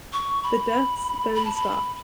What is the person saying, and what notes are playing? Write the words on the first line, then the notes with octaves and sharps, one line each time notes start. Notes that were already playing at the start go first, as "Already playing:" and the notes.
The deaths then stopped.
C#6
B5
B5
A5
B5